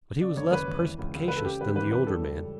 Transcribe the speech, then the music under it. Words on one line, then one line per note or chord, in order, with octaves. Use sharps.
But he was less perspicacious than the older man.
C#3 D5
F#1 C#5
F#1 B4
E2
E3
C#2
C#2
C#3 B4
A4
C#3 G4
G1 B4
E3 B4
F#2 B4
G3 A4
C#2